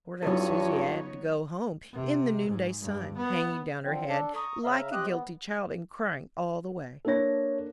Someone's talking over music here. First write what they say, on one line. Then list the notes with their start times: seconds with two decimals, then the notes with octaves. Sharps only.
Poor little Susy had to go home in the noonday sun, hanging down her head like a guilty child, and crying all the way.
0.23 G2 F3 F#3 B3 D#4 E4 A4 C#5
1.93 C3
2.48 G#2
2.80 G2
3.17 B3
3.85 D3 F3 C4
4.09 D4 A4
4.36 A#5 C#6 D#6
4.64 C#3 E5 F5 A#5
4.92 C4 G4 D#5 F#6
5.11 B3
7.05 A#3 D4 A4 C#5 A#6